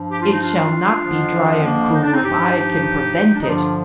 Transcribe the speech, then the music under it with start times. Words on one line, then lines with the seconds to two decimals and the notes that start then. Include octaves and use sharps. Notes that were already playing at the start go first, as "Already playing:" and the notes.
"It shall not be dry and cruel, if I can prevent it."
Already playing: G2 F3
0.11 G4
0.21 F4
0.32 D#4
0.42 D4 F4
1.03 F2 D3 F3
1.59 C4
1.63 A#3 D4
1.94 D#4
2.02 D4
2.12 C4 D#4
2.24 G2 F3 D#4 G4
3.33 D4
3.40 D#4
3.47 G2 D3 F3 D4 F4